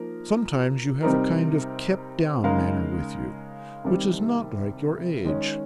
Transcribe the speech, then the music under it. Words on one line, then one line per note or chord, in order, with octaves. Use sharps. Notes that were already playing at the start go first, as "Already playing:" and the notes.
Sometimes you have a kind of kept-down manner with you, which is not like your age.
Already playing: F3 A#3 D#4 A#4
C3 G3 C4 D#4 A#4
C#3 G#3 D#4 A#4 F5
C2 C3 D#3 G3 C4
D#3 G#3 C#4